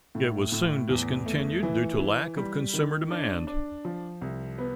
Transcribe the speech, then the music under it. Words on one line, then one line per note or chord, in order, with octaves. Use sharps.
It was soon discontinued due to lack of consumer demand.
A2
A2
E2
A3
E3
E3
G3
D#3
D4
D4
F3
C2
B3